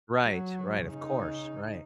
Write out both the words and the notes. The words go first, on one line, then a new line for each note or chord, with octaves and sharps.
Right, right, of course, right.
F#3
C#3 D#4